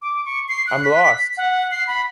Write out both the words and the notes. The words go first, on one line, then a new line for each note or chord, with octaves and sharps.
I am lost!
D6
C#6
C7
F#6
B6
F#5
C7
B5